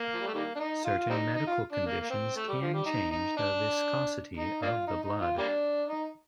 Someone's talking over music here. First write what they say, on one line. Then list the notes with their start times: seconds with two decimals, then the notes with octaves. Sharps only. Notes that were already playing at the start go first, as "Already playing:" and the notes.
Certain medical conditions can change the viscosity of the blood.
Already playing: A#3
0.14 F3
0.21 G3
0.27 A3
0.34 D#3 G3 A#3
0.56 D4
0.60 D#4
0.85 F4
0.98 F4
1.10 G3 C4 D#4
1.35 D#4
1.47 F4
1.72 D4
1.86 A#3
2.01 A#3
2.10 C4
2.36 A3
2.48 G3
2.61 F3
2.73 G3
2.86 D#4
3.11 D#4
3.37 D4
4.37 D#4
4.62 A#3 D4 F4
4.87 D#4
5.04 D#4
5.21 F4
5.38 G3 A#3 D4
5.88 D#4